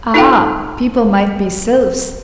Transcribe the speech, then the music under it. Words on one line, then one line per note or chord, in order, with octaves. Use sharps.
Ah! people might be sylphs.
D#4 F4 A4 F5 G5